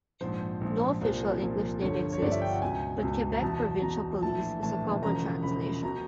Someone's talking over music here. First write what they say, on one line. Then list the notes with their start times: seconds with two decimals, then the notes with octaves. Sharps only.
No official English name exists, but Quebec Provincial Police is a common translation.
0.21 A#1 G#2 F3 C5
0.61 A#1 G#2 F3
1.01 C2 A#2 F3
1.41 C2 A#2 F3
1.81 G1 G2 D3 F3 C#5
2.13 C#5
2.22 G1 G2 D3 F3 D5
2.32 E5
2.42 G5
2.52 F#5
2.62 C#2 B2 G#5
3.02 C#2 B2
3.32 A#5
3.42 E2 B2 A5
3.82 E2 B2 A#5
4.22 A#1 A2 E3 A5
4.62 A#1 A2 E3 A5
5.02 E1 E2 C#3 F3 A#5
5.43 E1 E2 C#3 F3 B5
5.83 B2 A#5